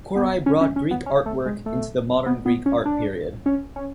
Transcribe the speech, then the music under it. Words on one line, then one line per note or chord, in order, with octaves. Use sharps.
Korai brought Greek artwork into the Modern Greek art period.
B3
C#4
C#4
C#4
B3
C#4
A3
G#3
A3
B3
B3
C#4
D4
C#4
C#4